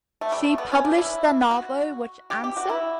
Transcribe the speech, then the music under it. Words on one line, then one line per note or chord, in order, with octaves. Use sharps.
She published the novel Which Answer?
A3
G3
A3
B3
C#4
D4
E4
F#4
G4
G4
F#4
E4